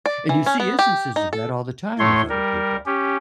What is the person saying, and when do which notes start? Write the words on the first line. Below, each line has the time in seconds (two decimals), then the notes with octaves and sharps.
And you see instances of that all the time with other people.
0.06 D5
0.29 E3
0.46 C#4
0.60 B3
0.79 G4
1.16 D#4
1.33 A4
1.99 A2 A3 C#5 C6
2.29 G3 A#4
2.86 C#4 G4